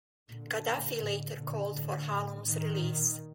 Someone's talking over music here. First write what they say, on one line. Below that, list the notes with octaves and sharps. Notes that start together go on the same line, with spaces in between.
Gaddafi later called for Hallum's release.
A#2 D3
A#2
A2
A#2 D3
A2 D3
A2
A2 D#3
A#2